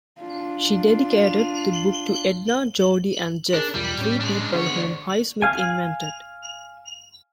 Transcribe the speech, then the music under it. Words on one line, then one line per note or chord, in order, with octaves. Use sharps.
She dedicated the book to "Edna, Jordy and Jeff"-three people whom Highsmith invented.
D4 F4
D4 G#4 A#4
B1 E2 G3 F4
A2 C#4
G#3 D4
D2 B3 D4 G#4 C#5
D4 C5 D5
F5 G#5